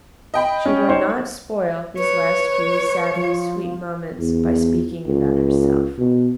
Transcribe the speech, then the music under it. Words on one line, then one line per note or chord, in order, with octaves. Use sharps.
She would not spoil these last few sadly-sweet moments by speaking about herself.
D#5 G5 B5
C#4
D#4 C5 C#5
B4 C#5
F3
E2
C#2
B2